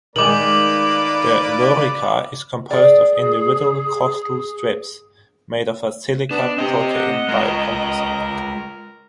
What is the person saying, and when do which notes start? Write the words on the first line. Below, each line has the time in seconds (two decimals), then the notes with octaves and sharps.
The lorica is composed of individual costal strips, made of a silica-protein biocomposite.
0.16 D#3 G#3 A#3 B4 D5 D6 F#7
2.71 G#4 D5
6.31 B3 D4
6.58 C4 G4 D#5
6.94 F#5
7.29 G#3 F4 A#4